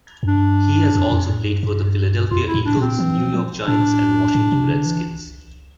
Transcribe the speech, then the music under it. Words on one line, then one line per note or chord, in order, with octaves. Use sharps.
He has also played for the Philadelphia Eagles, New York Giants, and Washington Redskins.
F2
G2 D4
F2
F2
A2
G2
G2
F2 F4
E4
A2
D4
A#2 C4
E3
F3
F3
A2 D4
A2
C3
D3
E3